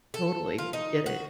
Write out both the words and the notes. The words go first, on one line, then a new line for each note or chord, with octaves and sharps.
totally get it.
A4
F4
D#4
F#4